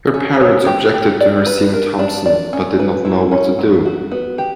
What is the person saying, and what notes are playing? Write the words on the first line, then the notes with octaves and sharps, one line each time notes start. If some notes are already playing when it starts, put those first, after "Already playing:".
Her parents objected to her seeing Thompson but did not know what to do.
C#4
C#5
G4
G4
D5
B4
A#4
D4
D5
C#4
B4
E4
C#4
F#3
F#4
B3
G4